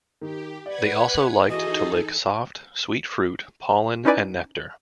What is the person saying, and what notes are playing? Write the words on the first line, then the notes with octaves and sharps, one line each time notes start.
They also liked to lick soft, sweet fruit, pollen and nectar.
D#3 G4
B4 D5 F#5 G#6
E3 D#4 F#4 G#4 A4 D#5
C#4 D#4 E4 B4 D5 G#5